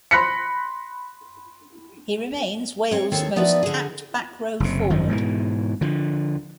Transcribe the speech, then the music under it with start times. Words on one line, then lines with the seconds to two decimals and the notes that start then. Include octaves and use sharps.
He remains Wales most capped back row forward.
0.11 B5 C6 F#6 A#6 B6 C#7
2.91 C4 C#5
3.12 D#2 D#3 C4 A4 C#5
3.36 F3 B3 D#4 B4 D5 E5
3.63 D3 G#4
4.60 F#1 C3
4.90 G#1 F#2 D#3 F3
5.08 G#2 B2 D#3 E3
5.81 D3 F3